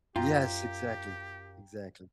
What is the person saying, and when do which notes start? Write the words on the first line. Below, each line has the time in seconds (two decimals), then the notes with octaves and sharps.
Yes, exactly, exactly.
0.16 F#2 F4 G4 G5 A#5